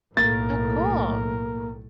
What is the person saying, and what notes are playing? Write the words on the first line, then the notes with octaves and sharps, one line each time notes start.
Oh, cool.
B1 A2 A#3 A#4 A6